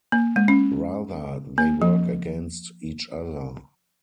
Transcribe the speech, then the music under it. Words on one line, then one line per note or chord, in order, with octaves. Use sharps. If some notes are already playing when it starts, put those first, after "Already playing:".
Rather, they work against each other.
A#3
G#3
C#4
A#3
F3